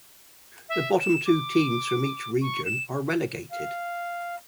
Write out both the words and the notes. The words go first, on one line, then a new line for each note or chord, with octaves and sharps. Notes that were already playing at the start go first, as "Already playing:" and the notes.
The bottom two teams from each region are relegated.
E5
E7
D6
C#6
E7
F5